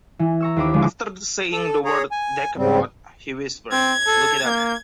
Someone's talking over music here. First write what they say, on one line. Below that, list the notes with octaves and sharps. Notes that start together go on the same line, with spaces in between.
After saying the word Decapod, he whispers "look it up".
E3
A#5 C#6 E6
D#2 D4 C5 B5 D6
D3 F3 G#3 D4
A4
G#4 C#5 A#5
G#5
G#2 C#3 G3 C4
C4 G#6
A4
A#3